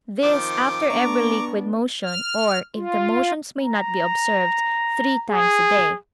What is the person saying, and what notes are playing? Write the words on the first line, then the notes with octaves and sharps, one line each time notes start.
This after every liquid motion, or, if the motions may not be observed, three times a day.
D#3 F3 C4 D6
B3 D4 A#5 C#6
F6
F4
A#5
G#4